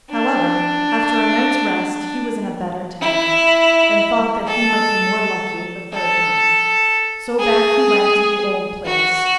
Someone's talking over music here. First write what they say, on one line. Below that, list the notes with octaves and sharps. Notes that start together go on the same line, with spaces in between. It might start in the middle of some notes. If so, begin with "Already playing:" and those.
However, after a night's rest he was in a better temper, and thought that he might be more lucky the third time, so back he went to the old place.
D4
E4
A4
A4
G#4
F#4